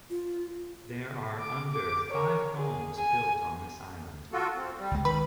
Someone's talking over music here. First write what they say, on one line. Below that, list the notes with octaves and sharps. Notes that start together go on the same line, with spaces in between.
There are under five homes built on this island.
F4
D6
D6
A#4 C#5
G#4
G#5
F4 F#4 A4
C4
G3
C#2 G#3
D#3 B4 B5